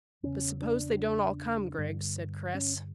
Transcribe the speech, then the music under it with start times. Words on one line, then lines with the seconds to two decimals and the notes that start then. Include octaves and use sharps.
"But suppose they don't all come, Griggs?" said Chris.
0.23 E2 C#3 C#4
0.62 D4
1.78 G2 D3
2.54 C#4